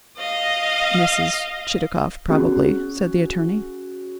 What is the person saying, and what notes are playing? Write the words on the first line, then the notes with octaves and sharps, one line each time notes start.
"Mrs. Chitakov, probably," said the attorney.
D#5 F5
C#4 F#4 G#4